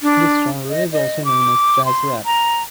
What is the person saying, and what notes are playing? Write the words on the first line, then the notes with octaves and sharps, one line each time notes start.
This genre is also known as jazz rap.
D4
D#5
D#5
D6
C6
A#5